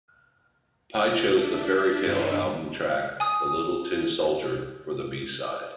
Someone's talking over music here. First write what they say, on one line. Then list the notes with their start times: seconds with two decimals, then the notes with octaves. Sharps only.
Pye chose the "Fairytale" album track "The Little Tin Soldier" for the b-side.
1.35 D4 E5
2.07 G2 D#4
3.20 G#5 D#6